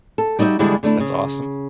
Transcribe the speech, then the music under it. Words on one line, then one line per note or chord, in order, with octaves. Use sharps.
That's awesome.
A4
G3 D#4 F#4 D5 E5
E2 D3 G3 G#3 D4 E4
D3 A3 D4 E4
C#3